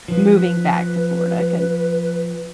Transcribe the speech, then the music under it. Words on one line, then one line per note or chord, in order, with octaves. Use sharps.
moving back to Florida 'cause
F3 B4